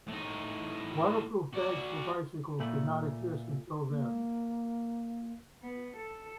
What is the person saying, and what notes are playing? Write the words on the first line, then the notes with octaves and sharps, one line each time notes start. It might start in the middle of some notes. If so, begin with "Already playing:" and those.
Waterproof bags for bicycles did not exist until then.
A2 D#4
F#4 D5
A#2 A3 B5
A#3
B3
A4